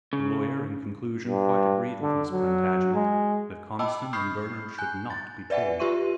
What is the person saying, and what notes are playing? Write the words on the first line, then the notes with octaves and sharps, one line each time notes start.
The lawyer, in conclusion, quite agreed with Miss Plantagenet that Conniston and Bernard should not be told.
C#3
G2
D3
F#3
G#3
D#5 G5 A5 B5 D6 E6
B5 C#6 D#6 F6 G6 C7
G#5 F#6 G6
A6
B4 D5 E5 F#5 G#5
F4 G4 B4 C6 C#6 D#7